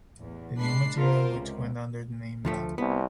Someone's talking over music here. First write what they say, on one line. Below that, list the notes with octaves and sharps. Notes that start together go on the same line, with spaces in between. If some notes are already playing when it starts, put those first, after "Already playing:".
The new material which went under the name Lap.
A1 E2
A#2 G#3 D4 B5 C7
B3 F4 A#4 C5
C#2 C3
D2 F3 A3
C2 B3